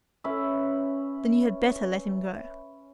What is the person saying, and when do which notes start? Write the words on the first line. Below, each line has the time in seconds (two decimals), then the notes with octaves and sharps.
"Then you had better let him go."
0.24 C#4 B4 E5